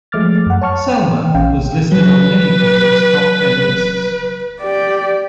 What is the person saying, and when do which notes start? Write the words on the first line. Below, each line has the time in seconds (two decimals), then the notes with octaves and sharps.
"Selma" was listed on many critics' top ten lists.
0.12 F3 G#3 A3 D6 F6 A6
0.46 F#2 F#5
0.61 C#5 A5 C#6 F6
0.92 G5
1.35 A#1 C#4 F5 G5
1.92 F#3 B4
4.61 G4 D5